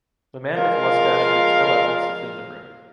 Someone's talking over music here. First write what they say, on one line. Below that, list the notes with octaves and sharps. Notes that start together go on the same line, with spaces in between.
The man with mustache makes no efforts to clean the room.
F3 G#3 F4 A#4 F5